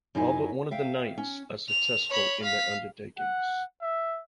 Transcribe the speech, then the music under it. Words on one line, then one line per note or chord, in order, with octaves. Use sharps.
All but one of the knights are successful in their undertakings.
F#2 F#3 D#4 E4 G#5
E5 F5 G5
C#4
F7
C#5 B5
F5 B6
F#5
E5